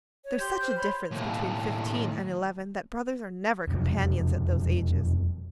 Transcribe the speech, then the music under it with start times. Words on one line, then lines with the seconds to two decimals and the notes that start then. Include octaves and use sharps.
There's such a difference between fifteen and eleven that brothers are never companions at those ages.
0.24 C#5
0.39 G4 C6 G6
0.62 C5 F6 G6
0.77 C#5 B5 C6
1.11 D#2 A2
3.68 E1 F2 C3 F#3